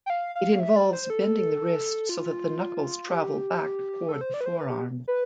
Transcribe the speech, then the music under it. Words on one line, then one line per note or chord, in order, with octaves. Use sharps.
It involves bending the wrist so that the knuckles travel back toward the forearm.
G5
F5
F5
E5
D5
C5
A4
F4
G4
A4
C5
D5
B4
C5
B4
G4
B4